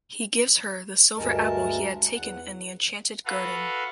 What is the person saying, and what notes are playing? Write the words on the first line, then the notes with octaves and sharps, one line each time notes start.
He gives her the silver apple he had taken in the enchanted garden.
D2 G2 G#3 A#4 A5
E2 F#5
F#4 A4 B4 F5 F#5